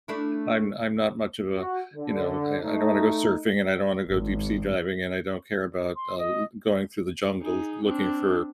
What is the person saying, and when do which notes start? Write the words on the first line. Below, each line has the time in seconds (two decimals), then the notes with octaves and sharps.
I'm I'm not much of a you know, I I don't wanna go surfing and I don't wanna go deep-sea diving and I don't care about, uh, l going through the jungle looking for
0.08 A3 D4 E4
1.57 F#4
1.94 D3
2.62 A3 D#4
4.10 G#1
5.96 C6
6.18 D#5
7.42 D#4 G#4
7.85 C4 D4